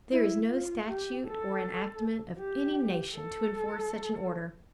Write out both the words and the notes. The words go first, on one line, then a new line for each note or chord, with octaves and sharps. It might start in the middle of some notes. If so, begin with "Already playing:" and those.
There is no statute or enactment of any nation to enforce such an order.
E4
F4
G4
A4
G4
A4